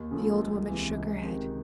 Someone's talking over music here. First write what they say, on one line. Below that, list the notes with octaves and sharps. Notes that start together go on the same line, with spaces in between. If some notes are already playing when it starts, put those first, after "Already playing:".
The old woman shook her head.
Already playing: D#2
C#3 F3 A3
C#2
C3 E3
C#2
C3 D#3